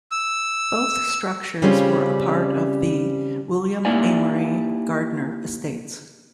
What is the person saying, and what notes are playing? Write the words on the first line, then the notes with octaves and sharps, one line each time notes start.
Both structures were a part of the William Amory Gardner estates.
E6
C#3 G3 C4 C#4 F4
A#3 D#4 E4 G4 D5 G#5